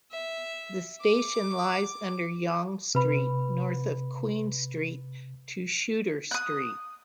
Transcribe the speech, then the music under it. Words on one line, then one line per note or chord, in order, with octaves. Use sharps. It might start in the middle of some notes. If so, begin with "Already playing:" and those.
The station lies under Yonge Street north of Queen Street to Shuter Street.
E5
D6
C3 B4 B5
D#6 F#6